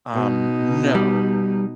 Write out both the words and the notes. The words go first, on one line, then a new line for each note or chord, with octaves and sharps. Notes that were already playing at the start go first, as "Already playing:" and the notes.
Um, no.
B2 D#4
G3